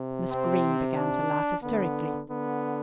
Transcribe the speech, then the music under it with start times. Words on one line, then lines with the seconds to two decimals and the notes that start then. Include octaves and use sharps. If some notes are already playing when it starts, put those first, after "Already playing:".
Miss Greene began to laugh hysterically.
Already playing: C3
0.30 C4
0.96 D4
1.63 D3 B3
2.29 D3 B3